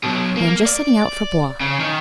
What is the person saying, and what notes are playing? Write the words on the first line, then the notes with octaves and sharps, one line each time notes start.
I am just setting out for Blois.
B2 F#3
A#3
D5
C#3
D#3